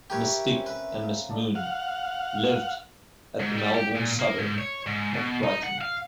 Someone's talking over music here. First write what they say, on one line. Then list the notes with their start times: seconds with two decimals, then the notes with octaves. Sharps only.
Miss Dick and Miss Moon lived at the Melbourne suburb of Brighton.
0.10 G4 A#4 B4 C#5 E5
0.24 C#6
0.50 C4 C#4
0.66 B4 E5
1.04 F5
1.29 A3 D4 A5
1.55 F5 F#5
3.40 G#2
3.57 G3
3.75 G4
3.96 A#2
4.20 A#3
4.38 G#2
4.58 C#5
4.86 G#2
5.14 B2
5.44 D#4
5.64 F#5
5.82 F5